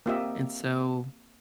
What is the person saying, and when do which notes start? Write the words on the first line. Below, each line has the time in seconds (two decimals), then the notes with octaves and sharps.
And so,
0.06 A#3 C4 F4 G4 D#5 E5